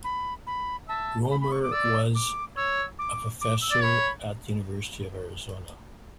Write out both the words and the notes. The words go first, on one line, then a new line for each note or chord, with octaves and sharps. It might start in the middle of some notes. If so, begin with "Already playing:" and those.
Roemer was a professor at the University of Arizona.
B5
B5
E5 A5
B5
B5
C#6
D6
D5 E6
D6
C#5 E6
D6
D6
E6
D5
C#5 B5